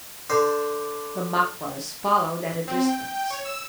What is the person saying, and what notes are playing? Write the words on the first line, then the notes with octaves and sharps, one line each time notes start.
The Maquas followed at a distance.
D3 C5
C4
G5
G5
C#5
E6